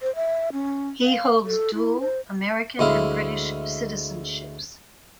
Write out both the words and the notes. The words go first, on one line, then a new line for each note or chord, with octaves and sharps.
He holds dual American and British citizenships.
C5
E5
C#4
F5
A4
E4
C5
D2 G#3 E4 F5